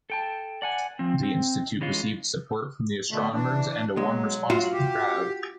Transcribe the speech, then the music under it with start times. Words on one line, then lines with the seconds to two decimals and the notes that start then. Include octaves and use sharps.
The institute received support from the astronomers and warm response from the crowd.
0.10 A4 G5 A5
0.62 D5 F#5 G#5
0.99 F3 C4
1.23 C4
1.81 E3 G#3 C#4 F4
3.11 B2 D3 A3
3.34 E3 D4
3.96 B1 F#3 G#3
4.50 F4 F#4
4.73 G4